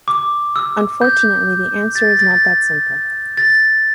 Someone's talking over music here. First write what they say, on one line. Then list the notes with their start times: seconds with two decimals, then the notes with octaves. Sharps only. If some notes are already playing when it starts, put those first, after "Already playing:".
Unfortunately, the answer is not that simple.
0.08 D6
0.56 E6
1.02 G6
1.95 A6
2.19 A6
2.31 A6
3.37 A6